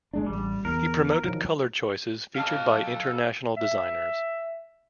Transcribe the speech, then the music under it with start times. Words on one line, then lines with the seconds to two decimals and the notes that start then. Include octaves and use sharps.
He promoted colour choices featured by international designers.
0.13 G1 G#3 D4
0.26 A1 G3
0.65 E2 A#4
1.24 D#3 F3 F#3
2.36 A4 F5
3.57 E5